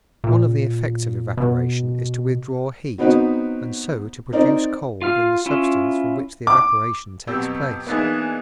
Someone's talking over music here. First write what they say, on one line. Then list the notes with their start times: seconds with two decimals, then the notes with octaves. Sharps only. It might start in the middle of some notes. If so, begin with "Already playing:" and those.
One of the effects of evaporation is to withdraw heat, and so to produce cold in the substance from which the evaporation takes place.
0.24 A#2
1.37 B2
2.98 F#3 B3 C4 D#4 F#4 B4
4.33 C4 D#4 A#4 D5
5.02 F4 F5 F6
5.46 C#4 E4 F4
6.47 D6
7.27 F2 B2 F#3 G4 E6
7.87 E3 A#3 B3 D4 D#4 G#4